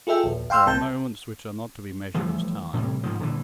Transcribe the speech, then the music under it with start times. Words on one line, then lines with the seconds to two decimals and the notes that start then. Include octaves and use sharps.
There are moments which are not to be measured as time.
0.07 F4 G#4 A4 E5 G5
0.24 A#1 D#2
0.50 F5 G5 C6 E6 F6
0.66 C2 C4 A5 G6
2.14 E3 F3 G3 A3
2.73 A2 C3 E3 G3
3.03 G#2 F3
3.19 D#1 D3 E3